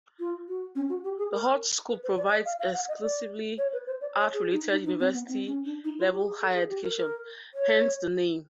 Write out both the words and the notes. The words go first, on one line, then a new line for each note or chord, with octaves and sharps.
The Hogeschool provides exclusively art-related university-level higher education, hence the name.
F4
F#4
C#4
F#4
G4
G#4
A#4
B4
C5
D5
D#5
F5
F5
F#5
D#5
D5
C#5
B4
C5
D5
C#5
G#4
D#4
D#4
D#4
C4
B3
C4
C#4
D4
D#4
F4
G4
G#4
A4
G#4
G4
A#4
A#4
C#5